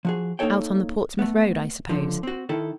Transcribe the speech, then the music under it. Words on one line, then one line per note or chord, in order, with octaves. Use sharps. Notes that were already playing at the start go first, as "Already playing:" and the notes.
"Out on the Portsmouth Road, I suppose?"
F3 F#4 G#4
A#3 D#4 G4 A4 C#5 G5
A3 B3
C#2 D3 F3
C4 F#4
D#3 E4 A4